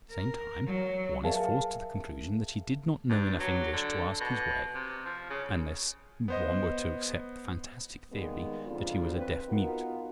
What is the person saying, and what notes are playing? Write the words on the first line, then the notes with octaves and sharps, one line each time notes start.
At the same time one is forced to the conclusion that he did not know enough English to ask his way, unless one were to accept the fantastic theory that he was a deaf mute.
A#4
F#3
G#4 A#4 E5 F5 G#5 A5
G2
F#3
D3
B2
C3
F3
C#3
B3 C5 D#5
D#3 G3 G#3 A#3 B3
F2 G#2 D3 F3 F4
C4 B4
B3 D#4 F4 F#4 A#4